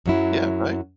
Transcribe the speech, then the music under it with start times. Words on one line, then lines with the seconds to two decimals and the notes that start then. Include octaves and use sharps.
Yeah, right?
0.06 F#2 F#3 E4